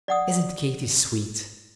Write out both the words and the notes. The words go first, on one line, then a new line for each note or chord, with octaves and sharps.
"Isn't Katy sweet?"
D5 F#5 D#6